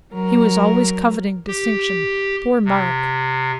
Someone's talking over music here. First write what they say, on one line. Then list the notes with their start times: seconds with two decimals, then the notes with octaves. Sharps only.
He was always coveting distinction, poor Marek!
0.12 F#3 A#4
1.48 G4
2.65 C3